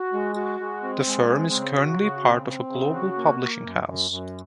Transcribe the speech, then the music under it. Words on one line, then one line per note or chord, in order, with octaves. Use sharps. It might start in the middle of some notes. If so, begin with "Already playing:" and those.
The firm is currently part of a global publishing house.
Already playing: F#4
G#3
F#4
G#3
C4
G#3
C4
C#3
F#4
C#3
C4
C4
C#3
F#4
A#3
A#3
F#2
F#2
F#2